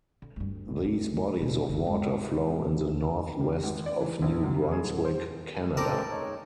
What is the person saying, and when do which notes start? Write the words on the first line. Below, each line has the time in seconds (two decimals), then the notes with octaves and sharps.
These bodies of water flow in the North-west of New Brunswick, Canada.
0.22 D3
0.36 D2 G2
0.84 D2 C#4
1.40 B2 A#3
1.67 G1 D2
1.87 G#2
3.40 G3
3.63 G#1
3.86 D5
4.00 E3
4.22 A#1
4.44 F#2
4.72 G#4
4.84 D#1
5.05 C5
5.77 A4 A#4 C5 D5 G5 A5
6.10 G#3 D#4 C#5